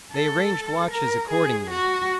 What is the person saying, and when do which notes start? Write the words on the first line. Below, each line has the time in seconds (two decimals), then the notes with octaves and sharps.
They arranged watches accordingly.
0.12 A4
0.91 A#4
1.30 G#4
1.70 F#4